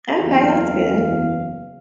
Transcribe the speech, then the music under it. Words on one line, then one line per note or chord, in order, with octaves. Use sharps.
Okay, that's good.
F#1 E2 F5